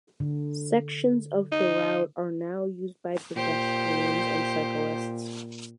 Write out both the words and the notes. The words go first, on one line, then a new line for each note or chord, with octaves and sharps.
Sections of the route are now used by pedestrians and cyclists.
D3
D#4
A#2 G4 C5